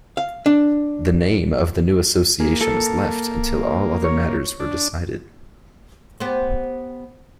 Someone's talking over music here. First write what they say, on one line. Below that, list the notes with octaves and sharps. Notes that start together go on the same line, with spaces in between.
The name of the new Association was left until all other matters were decided.
F5
D4
A#3 G#4
A4
C#5
D4
B3 G4 C5